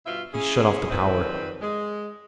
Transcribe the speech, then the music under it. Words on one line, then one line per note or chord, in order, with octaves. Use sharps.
He shut off the power.
G2 B2 F4 E5
C#4 E4 G#4
D#3 F3 G3 C4 B4
G#3